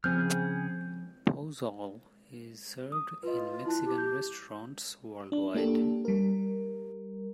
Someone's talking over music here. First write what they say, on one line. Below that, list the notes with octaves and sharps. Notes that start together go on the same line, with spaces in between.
Pozole is served in Mexican restaurants worldwide.
C#3 F3 C4 G#4 F6 G6
D#6
F4 B4 D#5
E4 A5 F#6
G4
G6
D4
A#3 D4 G4 A4
G3 A#4